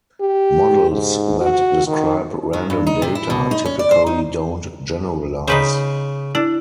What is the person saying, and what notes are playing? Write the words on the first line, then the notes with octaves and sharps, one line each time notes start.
Models that describe random data typically don't generalize.
G4
G#2
F#4
D#3
D#3
G2
D#4
C3
E4
B2
D#4
C#4
D5
C5
D#4
C#3 D#4 B4 C5
D4 E4